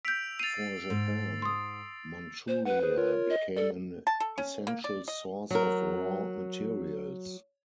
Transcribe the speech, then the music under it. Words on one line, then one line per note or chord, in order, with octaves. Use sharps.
For Japan, Manchuria became an essential source of raw materials.
E6 G6 B6 D7 F7
A6 C7 D#7 F7
G#2
C6 D#6
C5
B4 F#5
G#4 C5
F4 A#4 C#5
D#5
A4 D5
A5
A4
C#4
A#3
D5
D#5
F#3 A#4